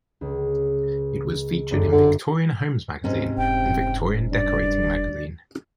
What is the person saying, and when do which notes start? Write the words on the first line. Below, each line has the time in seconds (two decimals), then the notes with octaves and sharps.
It was featured in Victorian Homes Magazine and Victorian Decorating Magazine.
0.21 C#2
1.71 G1 F#2 D4
1.92 D3
3.04 G#2 C3 C#4
3.37 F1 G5
4.32 G2 D5